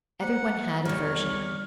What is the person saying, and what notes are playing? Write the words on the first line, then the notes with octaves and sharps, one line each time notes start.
Everyone had a version.
A#3 C5 F#5
E2 G3 C#5 F6